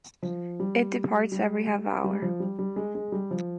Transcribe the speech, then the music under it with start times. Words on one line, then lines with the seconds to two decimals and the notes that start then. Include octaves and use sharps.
It departs every half-hour.
0.23 F3
0.60 G3
1.32 G3
2.04 G3
2.22 F3
2.40 G3
2.59 G3
2.76 G#3
2.95 G#3
3.12 G3
3.31 F3